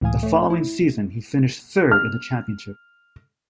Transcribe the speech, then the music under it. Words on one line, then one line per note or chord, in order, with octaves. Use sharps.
The following season he finished third in the championship.
C#2 A2 E3 F5 G#5 D#6
A3 C#5
E4
F6